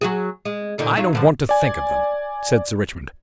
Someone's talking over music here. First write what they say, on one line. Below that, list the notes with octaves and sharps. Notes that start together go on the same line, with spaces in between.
"I don't want to think of them," said Sir Richmond.
F#3 F#4 G#4
G#3
A#2 D3 D#4
F#3 D#4 F4
G2 D3 F3
D5 G#5